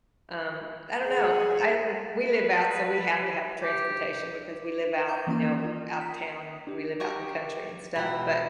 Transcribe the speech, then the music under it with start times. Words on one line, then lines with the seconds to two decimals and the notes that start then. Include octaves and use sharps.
um, I don't know, I live we live out so we have to have transportation because we live out, you know, out of town, and we live out in the country and stuff, but,
1.05 G#4 F#5
2.26 B4
3.62 G4
5.08 C#6 D6 G6
5.27 E3 A#3 C#4 D#6
5.42 A#4
5.64 F4
6.01 B6
6.67 D4 G4
7.00 G4 A#5 C#6
7.96 E1 F4 F#5 G5 B5